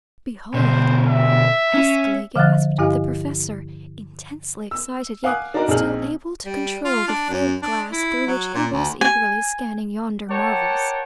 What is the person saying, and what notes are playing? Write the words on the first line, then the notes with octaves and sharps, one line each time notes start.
"Behold!" huskily gasped the professor, intensely excited, yet still able to control the field-glass through which he was eagerly scanning yonder marvels.
B2 D3 C5
E5
C#4
D3 F3 F5 F#5 F#6 A6
G2 E4 G4 D#5 F5 G#5
E6
F5 F#5 G#5 D6 D#6 F#6
D4 D#4 F#4 A#4 D5
A#1 C4 D#4 G#4 F6 F#7
G3
F4
D4
F#2
D4
E4
F#3
A#2
D2
G#5
A#4 C#5 D5 F#5 G5 A5